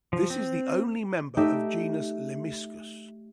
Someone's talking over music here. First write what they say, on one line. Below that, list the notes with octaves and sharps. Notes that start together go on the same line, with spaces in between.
This is the only member of genus Lemmiscus.
F3
C4
A3 D#4 G4 E5